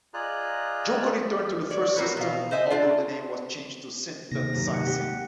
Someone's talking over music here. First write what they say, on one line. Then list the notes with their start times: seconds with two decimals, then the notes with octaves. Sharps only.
"Joker" returned to the first system, although the name was changed to Synthesizing.
0.14 F4 G#4 D5 D#5 A#5 F#6
1.70 C#5 D5
1.96 C4 F#4 A#4 B4 C#5
2.17 B2 F5
2.51 C5 D#5 E5 G#5
2.70 D4 F4 D5
4.32 D#2 C3 A#6
4.53 F#2 C#3
4.74 F#5
4.87 G4